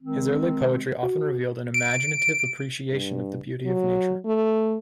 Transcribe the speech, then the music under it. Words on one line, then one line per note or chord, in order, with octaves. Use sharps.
His early poetry often revealed an imaginative appreciation of the beauty of nature.
D#3 G#3 C4
F#4
D7
G2
F#3
A3